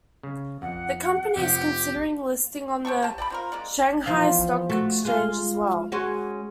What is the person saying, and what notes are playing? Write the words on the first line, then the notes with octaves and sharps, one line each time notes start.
The company is considering listing on the Shanghai Stock Exchange as well.
C#3
F2 F#5
F2 C3 F3 G4
C5 G5 A5 C#6
G4 A5
D5 G5 A5 B5
C4 F4 A#4
G#3 A#3 D5
E2 F3 F5
A3 F#4
G#3 F4
G#3 C#4 F#4